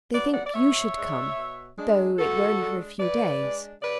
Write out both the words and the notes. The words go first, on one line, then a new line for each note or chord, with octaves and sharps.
"They think you should come, though it were only for a few days."
F#3 B3 B4 D5
D5 F#5
D5
B2 C#5 E5
G#3 D4
B2
G#3 D4
E3 F#4 A4
G#3 D4
E3 B4 D5
G#3 D4
C#3 B4 D5